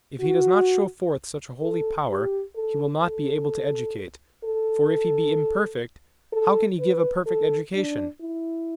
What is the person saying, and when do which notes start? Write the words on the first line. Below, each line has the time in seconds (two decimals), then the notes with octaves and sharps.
If He does not show forth such a holy power, He will not be able to educate, for if He be imperfect, how can He give a perfect education?
0.21 F#4
1.62 A4
2.09 G4
2.56 A4
3.03 A4
4.44 A4
6.33 A4
6.80 B4
7.27 A4
7.74 D4
8.21 E4